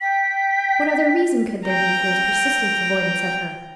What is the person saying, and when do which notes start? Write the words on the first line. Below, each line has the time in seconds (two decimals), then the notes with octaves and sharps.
What other reason could there be for his persistent avoidance of her?
0.01 G5 B6
1.65 G5 A#5